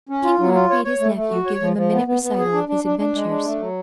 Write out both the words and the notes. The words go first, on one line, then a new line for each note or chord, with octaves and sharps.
King Mark made his nephew give him a minute recital of his adventures.
C#4
F4
F#3
F4
C#5
C#5
A3
A3
F#4
C#5
F3
F3
B3
B3
B3
G#4
D4
D4
D4
D4
G#3
D4
A3
F#3